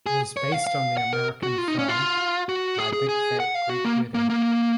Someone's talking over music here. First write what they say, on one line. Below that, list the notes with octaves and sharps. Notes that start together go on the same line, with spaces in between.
It is based on the American film "My Big Fat Greek Wedding".
G#4
C#5
F5
F5
F#5
A#4
F#4
F4
D#4
C#4
F4
F#4
G#4
G#4
G#4
F#5
F5
F#4
A#3
A#3
A#3